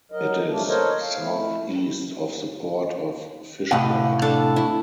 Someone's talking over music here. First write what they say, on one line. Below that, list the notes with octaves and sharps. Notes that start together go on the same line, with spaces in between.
It is southeast of the port of Fishguard.
F#3 A#4 D#5
G3 A3 A#3 D4
A4 A#4 C5 C#5 D#5
F5
A3 E4
A2 C3 D#5 F5 F#5
D4 A4 A5
E4